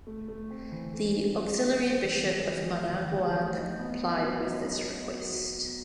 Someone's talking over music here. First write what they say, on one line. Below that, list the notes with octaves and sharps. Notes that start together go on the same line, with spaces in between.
The auxiliary Bishop of Managua complied with this request.
A3
A3
C4
E3
A3
C4
C4
C4
C4
E3
E3
E3
A3
E3
E3
A3
D#4
B3
B3
F#3
D#4
D#4
B3
F#3
F#3
B3